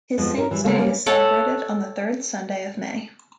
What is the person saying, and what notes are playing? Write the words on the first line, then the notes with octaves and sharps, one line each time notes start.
His saint's day is celebrated on the third Sunday of May.
F2 F3 G#3 B3
C#4 A#4
E3 G3
C#3 G#3 A#3 B3 A4
G3 A#3 C#4
A4 C#5 F#5 A5